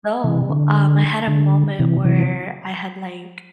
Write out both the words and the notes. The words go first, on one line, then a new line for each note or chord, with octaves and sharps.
so, um, I had a moment where I had, like
C3 E3
D3
D3
C3 E3
C3 E3